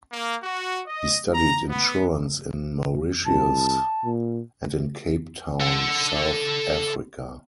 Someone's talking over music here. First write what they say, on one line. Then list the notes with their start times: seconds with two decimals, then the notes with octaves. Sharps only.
He studied insurance in Mauritius and in Cape Town, South Africa.
0.13 A#3
0.43 F#4
0.88 D#5
1.32 A#5
1.70 B3
3.26 C2 A5
4.05 A#2
5.61 A4 F#5